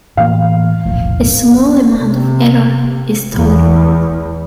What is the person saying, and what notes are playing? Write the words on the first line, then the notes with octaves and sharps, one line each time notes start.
A small amount of error is tolerable.
A2 E3 A#3 F5
E1 A#1 A2
C3
E2